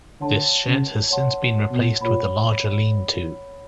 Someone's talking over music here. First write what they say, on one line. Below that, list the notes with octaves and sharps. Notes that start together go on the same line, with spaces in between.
This shed has since been replaced with a larger lean-to.
D3 C#5 F#5 A5 C6
C#3
C#5 F#5 A5 C6
B2
A#2 C#5 F#5 B5